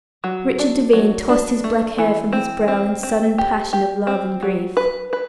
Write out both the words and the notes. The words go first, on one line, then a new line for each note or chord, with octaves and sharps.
Richard Devine tossed his black hair from his brow in sudden passion of love and grief.
F#3
D4
F#3
D4
A3
E3
C4
C4
C4
G4
G4
C4
F#3
B4
B4